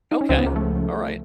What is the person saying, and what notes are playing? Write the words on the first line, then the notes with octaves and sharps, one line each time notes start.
Okay. Alright.
D#4
C#4
C#2 C#3 F3 C4
B3
A#3
A3